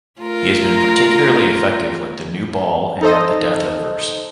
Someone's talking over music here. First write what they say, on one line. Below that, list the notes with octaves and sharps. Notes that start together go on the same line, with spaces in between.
He has been particularly effective with the new ball and at the death overs.
A3 F4 A#4
D#4 A4 C5 D#5